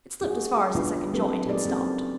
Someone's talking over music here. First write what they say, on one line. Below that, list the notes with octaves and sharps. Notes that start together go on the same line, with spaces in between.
It slipped as far as the second joint and stopped.
C#4 E4 F#4 G#4
G#3 B3 D4 E4 F4 B4
F#3 A#3 C4 G4 A4 B4
D#4 G4 G#4 A#4 D5 D#5
A#3 C4 C#4 F#4 A4